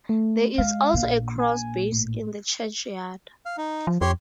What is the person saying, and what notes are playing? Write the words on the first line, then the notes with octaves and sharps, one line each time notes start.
There is also a cross base in the churchyard.
A3
G#3 F5
A#1 A#2
G#5
A2
F5
D#4
F3
F2 G4 C#5 C6